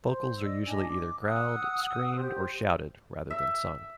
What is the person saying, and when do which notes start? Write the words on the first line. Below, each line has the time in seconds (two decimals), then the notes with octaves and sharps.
Vocals are usually either growled, screamed or shouted, rather than sung.
0.03 C5
0.39 D5 D#5 E6
0.66 D4 D#5 G#5
0.87 D6
1.22 F#5 D#6 E6 F#6
2.15 G4 C5
3.30 E5